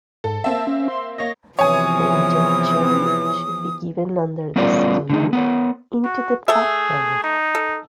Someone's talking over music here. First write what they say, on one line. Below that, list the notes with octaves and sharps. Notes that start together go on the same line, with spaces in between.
The injection should be given under the skin, into the fat layer.
G#2 A4
A#3 C4 E5 A5
C#4
C6
A#3 C#5 D#5 A#6
E2 C3 E3 F3 C#5 G#5 D#6
G3 B3 C#4 F4 A#4 D5
D3 A3 D#4
B3 A#4 C#5
F#4
A3 G#4 A4 E5
D#4
A4